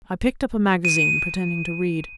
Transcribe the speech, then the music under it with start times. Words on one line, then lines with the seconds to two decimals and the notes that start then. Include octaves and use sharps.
I picked up a magazine, pretending to read.
0.85 D#7